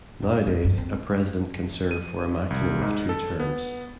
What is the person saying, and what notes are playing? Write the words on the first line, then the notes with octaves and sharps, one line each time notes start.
Nowadays, a President can serve for a maximum of two terms.
F2
F2
G2
C4
D#7
C2
G#2
A4
B3